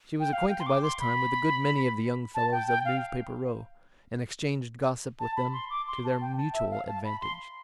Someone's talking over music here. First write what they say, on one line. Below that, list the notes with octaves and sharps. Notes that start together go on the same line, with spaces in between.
She was acquainted by this time with a good many of the young fellows of Newspaper Row; and exchanged gossip with them to their mutual advantage.
G5
F5
G5
C6
D6
C6
B5
A5
G5
G5
F5
A5
B5
C6
D6
C6
A5
G5
A5
E5
F5
A5
B5
C6